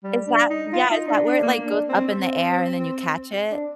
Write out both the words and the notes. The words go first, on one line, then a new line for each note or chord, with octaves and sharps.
Is that yeah is that where it like goes up in the air and then you catch it?
G3
D4
D#4
F4
D#4
D4
D4
A#3
D4
C4
C4
D4